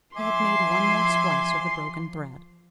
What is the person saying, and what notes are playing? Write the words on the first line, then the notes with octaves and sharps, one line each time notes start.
He had made one more splice of the broken thread.
F3 E5 G#5 C6 D6 C7